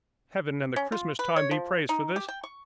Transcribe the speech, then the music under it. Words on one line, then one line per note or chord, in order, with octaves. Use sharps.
Heaven and the Christmas Time be praised for this!
C#4
F4
B4
C#5
F3
D#4
G4
G5
C#6